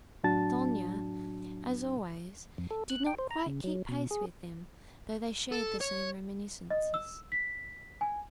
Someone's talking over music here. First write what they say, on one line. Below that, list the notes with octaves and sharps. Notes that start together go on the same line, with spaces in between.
Sonya, as always, did not quite keep pace with them, though they shared the same reminiscences.
A2 F#3 D4 F#4 A5 A6
F2
A4
F#6
G5
C5
A#5
C#3
F#3
B2
G#4
A4
C#5
D#5
E6
B6
G#5